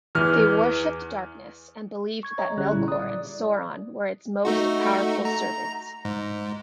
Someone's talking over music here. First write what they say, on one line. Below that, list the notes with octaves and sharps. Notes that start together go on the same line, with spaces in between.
They worshipped Darkness, and believed that Melkor and Sauron were its most powerful servants.
E2 E3 F6
C#6 G#6
C#5 D#5 E5 A#5
A#1 D3 G3 C#4 G#4 F#6
A#2 E4
D5 D#6
A3 D#4 F#4
A#5
G#2